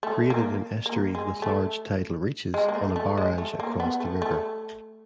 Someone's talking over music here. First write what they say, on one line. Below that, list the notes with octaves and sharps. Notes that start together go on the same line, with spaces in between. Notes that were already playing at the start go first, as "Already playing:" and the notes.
Created in estuaries with large tidal reaches, on a barrage across the river.
A3
A#3
A#3
G#3
A3
G#3
A#3
A3
A3
G#3
A3
A#3
B3
A3
A3